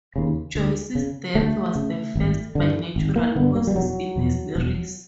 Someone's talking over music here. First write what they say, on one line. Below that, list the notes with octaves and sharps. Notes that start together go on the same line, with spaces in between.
Joyce's death was the first by natural causes in the series.
D#2 C#3
D2
C#3
D2 A3
C#3
G#1
G2 D3
G#1
A#3
G2 D3 B3
A#3
G3
E1 F#3
E2 B2
E1